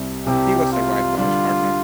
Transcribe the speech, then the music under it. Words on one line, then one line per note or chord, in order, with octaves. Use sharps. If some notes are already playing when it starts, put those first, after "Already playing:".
He was survived by his partner.
Already playing: C2 C3 G3 C4 E4
C2 C3 G3 C4 E4 G4
F4
D3 G3 D4 F4